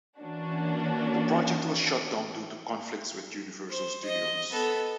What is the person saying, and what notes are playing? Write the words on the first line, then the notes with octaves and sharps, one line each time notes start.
The project was shut down due to conflicts with Universal Studios.
E3 A#3 C#4 D4 F#4
C5
D#5
B3 A4